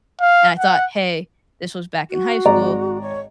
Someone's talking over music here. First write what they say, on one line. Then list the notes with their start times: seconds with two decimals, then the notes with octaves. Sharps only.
And I thought, "Hey, this was back in high school,
0.20 F5
0.59 F#5
2.10 F#4
2.46 G#1 D5 A#5
3.01 C#5